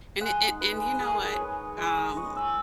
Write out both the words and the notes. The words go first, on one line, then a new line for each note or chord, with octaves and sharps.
And a and and you know what? Um,
G#3 F#5
D#4
B4
G#3
D#4 G#4
A#4
G#3 G#4
C#5
B4
D#4
G#3 D#5
D#5
D#4
C#6
G#3
E6